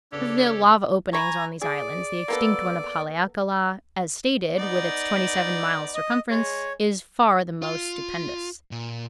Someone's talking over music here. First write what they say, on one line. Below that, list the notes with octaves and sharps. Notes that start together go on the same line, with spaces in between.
Of the lava openings on these islands, the extinct one of Haleakala, as stated, with its twenty-seven miles circumference, is far the most stupendous.
C#3 B3 D4 G4 A4 C#5
G#5 A#5 B5 C#6
G#4 D5
A#3 B3 A4
B3 D#4 D5
D#5
G#3 C#5
F4
A#2